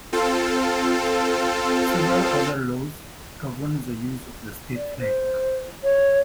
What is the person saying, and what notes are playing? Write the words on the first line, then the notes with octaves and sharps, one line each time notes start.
Several other laws govern the use of the state flag.
C4 F4 A4
D5
C5
C#5